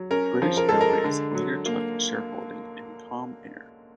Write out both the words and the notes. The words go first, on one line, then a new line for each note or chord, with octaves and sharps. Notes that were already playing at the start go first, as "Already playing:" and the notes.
British Airways later took a shareholding in Comair.
Already playing: F#3
C#4 A#4
F3
A#4
G#3 A4
A#4
D3
F#3
A#3